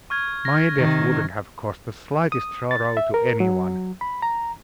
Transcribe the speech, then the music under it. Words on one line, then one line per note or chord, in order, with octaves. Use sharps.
My death wouldn't have caused the slightest sorrow to any one.
C#6 F6 G#6
A#6
C3 D#3
D#6
A6
E5
A#4
F#3
B5
A#5